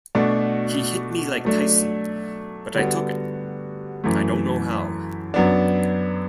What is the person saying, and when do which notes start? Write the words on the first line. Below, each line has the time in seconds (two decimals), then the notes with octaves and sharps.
He hit me like Tyson, but I took it - I don't know how.
0.15 B2 A3 D4 F#4
1.45 F#3 A3 D4
2.75 D3 G3 B3 F#4
4.04 F#2 E3 A3
5.34 F#2 F#3 B3 D4